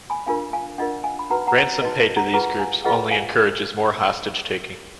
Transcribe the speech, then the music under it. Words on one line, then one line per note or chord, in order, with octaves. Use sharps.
Ransom paid to these groups only encourages more hostage taking.
G#5 B5
D4 F4 A#4 F5 G#5
F5 G#5
D4 F4 A#4 D#5 F#5
F5 G#5
B5
D#4 F#4 B4 F#5 A#5
F#5 A#5
D#4 F#4 B4 D#5
D5 F5
F#5 A#5
F4 G#4 B4 F#5 A#5
F5 G#5
F4 G#4 B4 D#5 F#5
F5 G#5